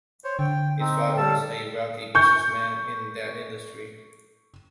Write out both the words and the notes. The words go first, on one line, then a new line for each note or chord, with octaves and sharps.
His father was a wealthy businessman in that industry.
C5 C#5
D3 G5
C4 D#4
G3 A5 E6
C#6 G6